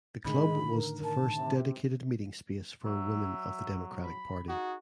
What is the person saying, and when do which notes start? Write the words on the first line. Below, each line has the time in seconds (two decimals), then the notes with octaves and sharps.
The club was the first dedicated meeting space for women of the Democratic party.
0.25 A2 D3 D#3 G#3 B5
0.69 A#4
1.04 A5
1.36 C3
2.85 F#3 E5
4.03 B5
4.48 D#4 F#4 G#4